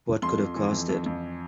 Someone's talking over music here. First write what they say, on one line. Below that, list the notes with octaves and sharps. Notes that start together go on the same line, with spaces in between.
What could have caused it?
F2 C6
F2
E3
F2
F2
F2